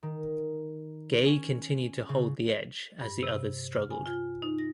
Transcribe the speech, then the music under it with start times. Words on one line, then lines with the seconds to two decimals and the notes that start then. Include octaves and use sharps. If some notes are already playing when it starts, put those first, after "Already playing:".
Gaye continue to hold the edge as the others struggled.
0.03 D#3
1.26 C#4
2.09 C#3
3.01 G2
3.23 C3
3.74 F6
3.90 G#5
4.06 F4
4.42 D#4
4.58 A#6